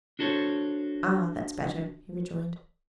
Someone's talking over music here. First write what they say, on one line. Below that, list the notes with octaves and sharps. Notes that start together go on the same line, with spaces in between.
"Ah! that's better," he rejoined.
D4 F#4 A4 C5 C#5